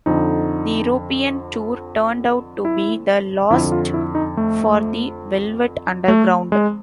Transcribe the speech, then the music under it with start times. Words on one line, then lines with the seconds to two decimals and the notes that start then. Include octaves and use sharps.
The European tour turned out to be the last for the Velvet Underground.
0.06 F2 D3 D#4
2.65 E4
3.50 F2 D3 E4
3.72 F4
3.94 E4
4.15 D#4
4.37 A3
6.08 A3
6.52 G#3